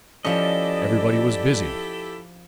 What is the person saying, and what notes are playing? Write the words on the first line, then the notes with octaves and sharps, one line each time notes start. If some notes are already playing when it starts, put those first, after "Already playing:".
Everybody was busy.
F3 C#4 E4 G4 A4 D5 D#5